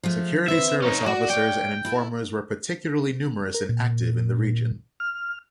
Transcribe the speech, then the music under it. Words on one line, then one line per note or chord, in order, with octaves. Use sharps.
Security service officers and informers were particularly numerous and active in the region.
F3 G#3 A3
C4 B4 C5 E5
C#4 D#4
F#4 D5
C#5 F5 G5
E4 A4
A#4
A#2
F6